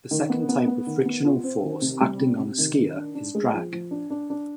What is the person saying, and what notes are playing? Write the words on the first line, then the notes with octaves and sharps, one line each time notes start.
The second type of frictional force acting on a skier is drag.
D#3
B3
B3
B3
D#3
B3
F4
C4
D#3
C3
G3
C3
C3
D#3
D#3
D4
D4
G#3
F3
F3
D4
D4
D4